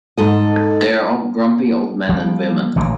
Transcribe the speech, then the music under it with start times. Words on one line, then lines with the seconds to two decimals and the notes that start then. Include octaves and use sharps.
They are all grumpy old men and women.
0.18 G#2 A4 D#5
2.09 F3 G3
2.76 A1 A#2 D3 F#3